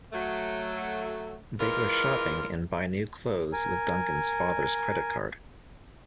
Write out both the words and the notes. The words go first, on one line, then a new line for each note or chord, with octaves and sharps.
They go shopping and buy new clothes with Duncan's father's credit card.
F#3 A3
E3 G#3 F4 A#4
A#4 G#5